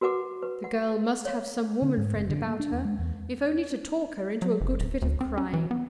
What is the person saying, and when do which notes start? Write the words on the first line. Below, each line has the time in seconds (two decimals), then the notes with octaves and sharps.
The girl must have some woman-friend about her, if only to talk her into a good fit of crying.'
0.01 F#4 A#4 B4 F#5 D6
0.42 B4
0.64 F#5
1.25 C#5 F5
1.82 D3
1.97 G#2
2.14 F#1
2.30 D3
2.46 A#3
2.60 D4
2.71 E2
2.85 G#3
2.99 E2
4.42 F#3
4.61 F#1
4.80 D1
5.02 D2
5.21 C4
5.38 C#4
5.53 E3
5.71 B3